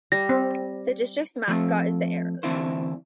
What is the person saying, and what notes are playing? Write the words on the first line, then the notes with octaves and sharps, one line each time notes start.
The district's mascot is the Arrows.
G3 A#6
C4
F3 A3 C4
D2 E3 C4 D4 E4 C5